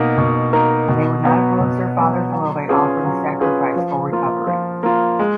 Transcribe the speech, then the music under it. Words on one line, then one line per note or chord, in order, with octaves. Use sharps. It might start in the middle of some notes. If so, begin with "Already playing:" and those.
They would not oppose their father's will by offering sacrifice for recovery.
Already playing: B2 A#3 D#4 A#4
B2
A#3 D#4 A#4
B2
F#3 B3
B2
F#3 B3
F#3
C#4 F4 G#4 B4
F#3
C#4 F4 G#4 B4
F3
A#3 F4
F3
A#3 F4
G#3